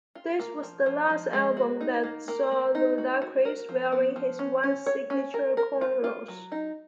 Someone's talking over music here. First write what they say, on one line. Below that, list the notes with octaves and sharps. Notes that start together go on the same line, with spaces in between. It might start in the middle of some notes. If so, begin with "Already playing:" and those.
This was the last album that saw Ludacris wearing his once signature cornrows.
F4
A#3
F3
F3
F3
G#3
F#4
D#4
A#3
A#3
A#3
D#4
F#4
F#4
A#4
F3
B3
F3
C#4
C#4
C#5
C#4
A#4
A#4
F4
F4
F#3
D#4